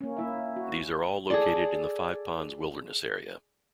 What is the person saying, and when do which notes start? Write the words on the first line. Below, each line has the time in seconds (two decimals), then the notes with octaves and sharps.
These are all located in the Five Ponds Wilderness Area.
0.01 A#3 C#4
0.17 A#3 E4 E5
0.56 F#4
1.30 G#4 A4 D5